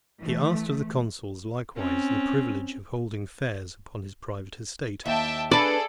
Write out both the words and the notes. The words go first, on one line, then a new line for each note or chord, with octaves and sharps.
He asked of the consuls likewise the privilege of holding fairs upon his private estate.
E3 A3
C4 C#4
D#2 E5 G5 A5
D4 G#4 A4 B4 D5